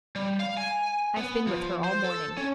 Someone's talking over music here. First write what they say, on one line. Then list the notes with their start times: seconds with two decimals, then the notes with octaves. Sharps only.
I've been with her all morning.'
0.16 G3
0.39 F5
0.57 G#5
1.17 B3
1.47 F3
1.84 C5
2.04 A4
2.37 C#4